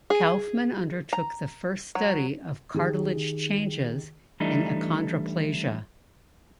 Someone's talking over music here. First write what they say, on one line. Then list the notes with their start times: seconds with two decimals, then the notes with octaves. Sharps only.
Kaufmann undertook the first study of cartilage changes in achondroplasia.
0.10 G#4
1.13 A#5
1.95 F#3
2.74 D#3 G4 G#4
4.40 E3 G3 A3 D4 D#4